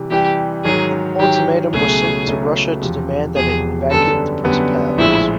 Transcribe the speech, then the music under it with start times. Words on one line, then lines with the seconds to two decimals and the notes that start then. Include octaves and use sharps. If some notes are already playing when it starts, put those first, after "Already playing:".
An ultimatum was sent to Russia to demand that it evacuate the Principalities.
Already playing: C3 E3 G3
0.10 C3 E3 G3 G4
0.64 G#2 D#3 F#3 G#4
1.19 G#2 D#3 F#3 G4
1.73 C#2 B2 F#3 A3 C#4 G#4
2.27 C#2 B2 F#3 A3 C#4
2.82 E1 E2 C3 F3
3.36 E1 E2 C3 F3 G#4
3.90 F#2 D3 G3 B3 A4
4.44 F#2 D3 G3 B3
4.98 A#1 A2 F3 G#3 E4